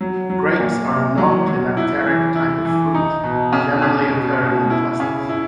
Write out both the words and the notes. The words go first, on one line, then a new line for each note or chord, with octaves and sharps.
Grapes are a non-climacteric type of fruit, generally occurring in clusters.
F#3
F#3
A#2
A#2
F#3
F#3
E4
E3
E4
E3
D#4
B2
C#3
C#3
B2
B2
E4
C#3
E4